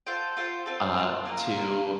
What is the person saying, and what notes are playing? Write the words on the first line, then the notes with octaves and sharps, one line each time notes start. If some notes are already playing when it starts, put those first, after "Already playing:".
uh, to
F4 A4 C5 G5
F4 A4 C5 G5
C4 F4 A4
C4 F4 A4
A#3 F4 A#4
A#3 F4 A#4